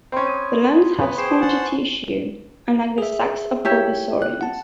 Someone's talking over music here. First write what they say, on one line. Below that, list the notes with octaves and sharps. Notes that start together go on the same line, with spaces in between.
The lungs have spongy tissue unlike the sacs of other saurians.
C4 C#4 B5 C6
D#6 G#6 D#7
B3
G#4 C5 G5 C#6 C7 E7
C5 F#5 G#5 A5
G#4 E5
E4 G4 C#5
F#6
F#5 A5